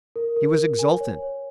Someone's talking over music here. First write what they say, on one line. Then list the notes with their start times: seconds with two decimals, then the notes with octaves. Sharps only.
He was exultant.
0.16 A#4
0.36 A#4
0.58 A#4
0.79 G#5
1.01 C#5
1.22 C#5